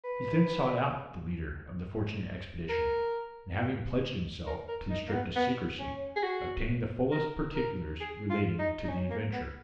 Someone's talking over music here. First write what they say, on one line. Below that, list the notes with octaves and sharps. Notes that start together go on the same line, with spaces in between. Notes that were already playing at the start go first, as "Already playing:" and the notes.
He then sought out the leader of the fortunate expedition, and having pledged himself to the strictest secrecy, obtained the fullest particulars relating to the adventure.
B4
A#4
A#4
A#4
D#4
A#3
B3
B3
C#4
G#4
F#4
A#4
A#4
G#4
F4
D#4
D#4
C#4
A#3
B3